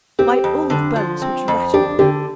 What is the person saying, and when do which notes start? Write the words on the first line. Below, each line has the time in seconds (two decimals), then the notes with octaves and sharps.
My old bones would rattle.'
0.19 C4 G4
0.44 F2
0.70 D3
0.96 F3
1.22 C4
1.48 F2
1.74 D4 G4
1.99 D3 G4